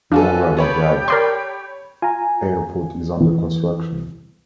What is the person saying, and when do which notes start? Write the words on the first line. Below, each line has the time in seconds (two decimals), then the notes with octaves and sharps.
Moradabad Airport is under construction.
0.12 D4 F4 F#4 A4 B4 G#5
0.57 B3 G4 A4 C#5 G5 B5
1.08 A#4 C#5 D5 B5 C6
2.02 F4 G#5 A#5
3.20 E3